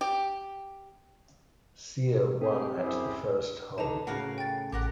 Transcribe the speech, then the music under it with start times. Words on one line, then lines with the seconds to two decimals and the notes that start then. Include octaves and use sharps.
Hsieh won at the first hole.
0.01 G4
2.41 A3 C4 G4 G#4
2.82 F#2 E4 G4 G#4 C5
3.78 D3 E3 D#4 A5 A#5
4.07 A2 C#3 F#4 A#4 F5
4.38 G5 A6
4.72 A1 G4 A#4 F#5